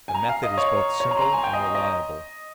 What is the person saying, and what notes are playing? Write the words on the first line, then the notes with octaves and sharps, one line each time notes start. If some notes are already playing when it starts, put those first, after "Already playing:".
The method is both simple and reliable.
G#5
A#5
F5
D#5
C#5
C#5
A#5
C6
A#5
G#5
G5
D#5
D#5